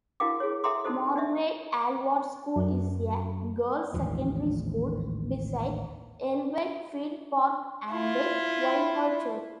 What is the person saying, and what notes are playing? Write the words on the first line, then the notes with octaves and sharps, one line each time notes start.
Margret Aylward School is a girls secondary school beside ellenfield park and Whitehall church.
E4 F#4 A#4 F5 G5 D6
G#4 C#5
A4 E5 G5 A#5 C6 D6
D#4 F#4 A4 C5 D#5
D4 D#4 D#5 E5
F#2
A1 D#2 G#2 F3
E4 F4